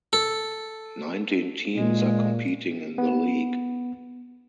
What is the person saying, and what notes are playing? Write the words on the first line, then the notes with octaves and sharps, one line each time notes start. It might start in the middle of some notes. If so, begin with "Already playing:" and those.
Nineteen teams are competing in the league.
A4
A#2 G#3
B3